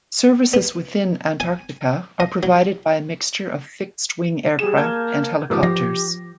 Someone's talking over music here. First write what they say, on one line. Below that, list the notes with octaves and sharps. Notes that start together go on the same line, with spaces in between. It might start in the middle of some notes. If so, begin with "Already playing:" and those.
Services within Antarctica are provided by a mixture of fixed-wing aircraft and helicopters.
B3
G#5
D#5
F#3
G3 G#4 E7
A#3 A5 G6 G#6
G#2 F3 G4
F3 A#6